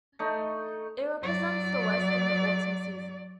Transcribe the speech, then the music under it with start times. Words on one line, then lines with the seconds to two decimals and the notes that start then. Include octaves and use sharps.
It represents the west and the autumn season.
0.19 A3 D#4
1.22 F#3 D5